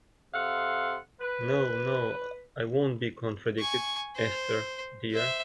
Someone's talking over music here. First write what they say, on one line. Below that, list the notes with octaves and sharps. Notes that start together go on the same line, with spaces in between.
No, no, I won't be contradicted, Esther dear!
C3 A4 F5 F#5 C6
B4
G#5 C#6
C5
C5 E5